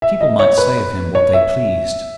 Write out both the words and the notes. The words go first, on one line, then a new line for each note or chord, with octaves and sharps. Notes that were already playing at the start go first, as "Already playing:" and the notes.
People might say of him what they pleased.
E5
D#5
C#5
B4
C#5
E5